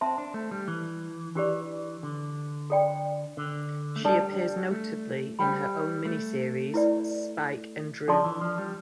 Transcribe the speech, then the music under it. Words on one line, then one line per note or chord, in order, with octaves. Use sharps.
She appears notably in her own mini-series: "Spike and Dru".
C4 C5 E5 A5 C6
D4
A3
G3
E3
E3 D4 G4 B4 D5
D3
A4 D5 G5
D3
A3
G3 D4 A4 D5 A5
A3
G3 C5 G5 B5
A3
E4 B4 D5
F3 D4 A4 D5 A5 C6
E3
F3
G3